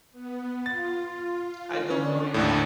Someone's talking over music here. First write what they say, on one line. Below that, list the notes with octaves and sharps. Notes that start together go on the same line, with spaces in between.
I don't know you!
B3
F4 A6
D3 C#4 D4
G#1 D#2 A2